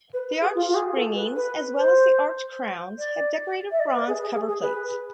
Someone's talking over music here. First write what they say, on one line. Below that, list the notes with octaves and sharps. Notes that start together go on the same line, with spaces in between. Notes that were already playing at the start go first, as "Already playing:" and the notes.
The arch springings, as well as the arch crowns, have decorative bronze cover plates.
B4
B4
G#4
F4
F4
G#4
A4
B4
B4
C5
D5
E5
D5
B4
G#4
G#4
G#4
G#4
B4